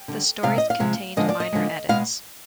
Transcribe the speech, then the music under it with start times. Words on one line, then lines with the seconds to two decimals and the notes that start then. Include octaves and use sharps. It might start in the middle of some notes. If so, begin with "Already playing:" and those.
The stories contained minor edits.
Already playing: G5
0.08 D3 G3
0.43 C3 F3 G#3 F5
0.58 D#5
0.70 F5
0.80 C3 F3 G#3
1.17 D3 F3 G#3 D#5
1.29 D5
1.40 D#5
1.52 D3 F3 G#3
1.89 B2 G#3 F5